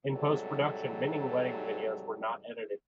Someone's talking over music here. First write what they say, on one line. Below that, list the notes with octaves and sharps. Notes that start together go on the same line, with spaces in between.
In post-production, many wedding videos were not edited.
G#2 C3 F#3 G3 A4